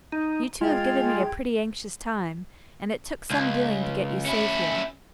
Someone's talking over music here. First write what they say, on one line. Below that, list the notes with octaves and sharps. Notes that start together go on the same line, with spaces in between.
You two have given me a pretty anxious time, and it took some doing to get you safe here.
D#4
G#3 F4 G#4 G5 G#6
C#2
C#4 E4